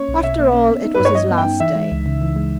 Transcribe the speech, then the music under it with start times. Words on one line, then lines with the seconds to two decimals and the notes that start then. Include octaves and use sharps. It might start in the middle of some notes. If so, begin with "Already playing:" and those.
After all it was his last day.
Already playing: A#3 C#4 C#5
0.08 B1
0.23 B2 E5
0.39 A#3
0.53 C#4
0.70 B3
0.84 D#4
0.95 B4
1.00 G2 C#5
1.15 G3 D#5
1.31 B3
1.38 G5
1.45 D#4
1.60 E3 E5
1.76 G#3
1.92 C#2
2.06 C#3
2.21 E3
2.36 G#3